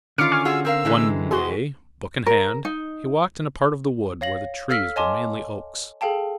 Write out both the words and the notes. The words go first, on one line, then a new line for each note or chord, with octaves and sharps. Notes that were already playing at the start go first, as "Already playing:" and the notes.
One day, book in hand, he walked in a part of the wood where the trees were mainly oaks.
D3 D#3 C#4 F4 D6 F6 C#7 D7
G#5 C#6 F6
F4 F#4 G#4 E6
C4 A#4 F5 E6
C3 E3 G#3
F#4 G#4 C6
A#4
D#4
C#5 F5 A#6 F#7
A4 F5 E6 F6 B6
C#5 D#5 G#5 A5 C6 D6
G#4 A4 F5 G5 A5